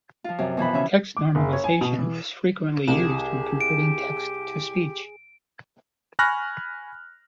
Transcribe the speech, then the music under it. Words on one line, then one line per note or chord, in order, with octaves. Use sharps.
Text normalization is frequently used when converting text to speech.
F3 F4
F#2 C3
B2 E3 F3 B5
C#3 C#4 E5
D6
F#1
C#5
G#5
B2
E3
C2 G4 G#4 E7
D7
G#5 B5 C#6 F6 F#6 A#6